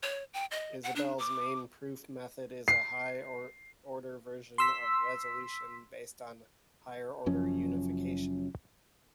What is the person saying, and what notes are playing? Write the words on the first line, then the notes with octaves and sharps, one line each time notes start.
Isabelle's main proof method is a higher-order version of resolution, based on higher-order unification.
C#5
G5
D#5
F#5
D4
D6
C7
C6 E6 B6
F#1 F#2 F3 C#4